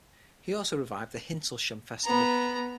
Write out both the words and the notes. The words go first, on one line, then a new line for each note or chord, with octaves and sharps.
He also revived the Hintlesham Festival.
B3 A#5